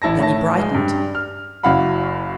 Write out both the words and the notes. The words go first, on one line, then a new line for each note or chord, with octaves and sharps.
Then he brightened.
A1 E4 A5 A#6
A2 C#5 E5 A5 A#6
G#3
G2 G3
F6
F#1 F#2 E4 F5 F#5 B5